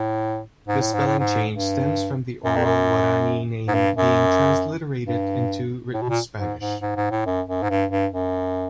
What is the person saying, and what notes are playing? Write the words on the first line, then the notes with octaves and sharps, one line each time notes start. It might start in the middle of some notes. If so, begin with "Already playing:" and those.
The spelling change stems from the oral Guarani name being transliterated into written Spanish.
Already playing: A2
G#2
A2
G#2
A2
G#2
G2
F#2
F2
F#2
G#2
G2
F#2
G2
A2
B2
A#2
G#2
G#2
G#2
G#2
A2
F#2
F#2
G#2
G2
G2
F#2